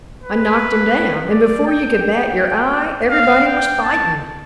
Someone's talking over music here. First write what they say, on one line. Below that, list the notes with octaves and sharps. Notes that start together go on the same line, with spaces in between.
I knocked him down, and before you could bat your eye everybody was fightin'.
B4
D5
G5
G5
F5
G5
A5